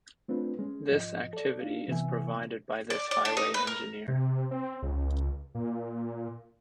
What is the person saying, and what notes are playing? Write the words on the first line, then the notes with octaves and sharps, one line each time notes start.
This activity is provided by this highway engineer.
A3 C4 D4 F4 B4
G#3 C#4
G#2 F3 D#5
A4 D5
D4 D#4 F5
C3 E3 B3 E5 G#5
D5
D5
D4
D#4
B4
A#4
C3
C4
C#2
A#2